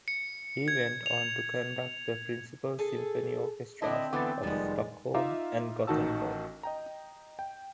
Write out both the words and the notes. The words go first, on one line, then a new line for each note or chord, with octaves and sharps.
He went on to conduct the principal symphony orchestras of Stockholm and Gothenburg.
C#7
G#6
F7
G#4 A4
D3 C4 D4 E4 D#5 A5
D3 E3 A3 B3 D6 A6
F1 D#3 F3 G3 G#3 B3
D#4 F4 E5 F5 A#5 D6
A1 D#3 D#4 F#4 A5 E6
D#5 G5 A#5
G5